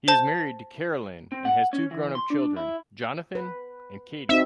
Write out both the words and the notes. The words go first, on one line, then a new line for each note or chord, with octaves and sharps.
He is married to Carolyn and has two grown up children, Jonathan and Katie.
C5 A5 G6
C4
F#5
C#4
E3
C6
D4
E4
B4
C4 D#4 F#4 E5